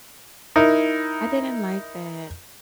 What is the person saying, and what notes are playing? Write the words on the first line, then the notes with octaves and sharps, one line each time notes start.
I didn't like that.
D#4 E4 A#4